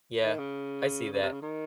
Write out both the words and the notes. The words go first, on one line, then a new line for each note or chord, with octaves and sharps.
Yeah, I see that.
D#3
C#3
C#3
C3
C#3
D#3